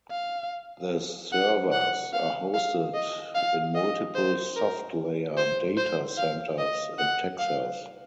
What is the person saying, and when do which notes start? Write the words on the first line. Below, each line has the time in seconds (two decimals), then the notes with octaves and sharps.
The servers are hosted in multiple SoftLayer datacenters in Texas.
0.11 F5
1.32 F#5
1.72 F#5
2.13 F5
2.54 F5
2.94 D#5
3.35 F5
3.75 D#5
4.15 C5
4.56 A#4
5.37 C5
5.77 C5
6.18 F5
6.58 D#5
6.99 F#5
7.39 F5